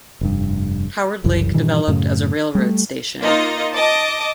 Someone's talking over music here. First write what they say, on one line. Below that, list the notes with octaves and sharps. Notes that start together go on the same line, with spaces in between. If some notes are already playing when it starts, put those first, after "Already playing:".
Howard Lake developed as a railroad station.
F1 G2
F#1 C2 F#2 E3
G2 A#2 D#3 E3
F#2 A2 C#3
G3 A3
A#3 D#4 F4 D#5
D#5 A5 D6